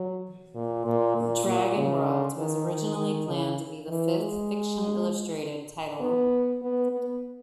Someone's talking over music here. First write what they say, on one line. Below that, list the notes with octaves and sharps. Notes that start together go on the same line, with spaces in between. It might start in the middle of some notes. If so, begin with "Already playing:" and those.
"Dragonworld" was originally planned to be the fifth "Fiction Illustrated" title.
Already playing: F#3
A#2
A#2
A#2
A#2
C#3
D#3
D#3
D#3
C#3
E3
G#3
B3
B3
B3